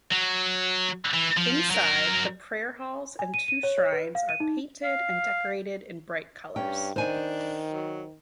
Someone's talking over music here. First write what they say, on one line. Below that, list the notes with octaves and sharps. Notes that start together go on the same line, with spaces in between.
Inside, the prayer halls and two shrines are painted and decorated in bright colours.
F#3
E3
F3
F#3 A#4
G#5
D#7
D#7
C#5
C#5
B4
F5
D#7
D#4
F5
G2 C#4 G5
D#3 D4 C5 G#5
F#3